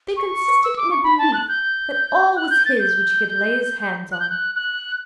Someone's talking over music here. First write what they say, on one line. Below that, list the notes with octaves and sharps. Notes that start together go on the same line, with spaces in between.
They consisted in a belief that all was his which he could lay his hands on.
C#6
E6
D6
C#6
B5
A5
F#6
G6
F#6
G6
A6
G6
F#6
G6
F#6
F#6